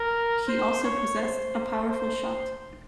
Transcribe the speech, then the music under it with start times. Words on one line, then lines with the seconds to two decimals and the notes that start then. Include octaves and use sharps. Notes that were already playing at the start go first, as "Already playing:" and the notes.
He also possessed a powerful shot.
Already playing: A#4
0.48 C5
0.84 C#5
1.18 C5
1.89 C5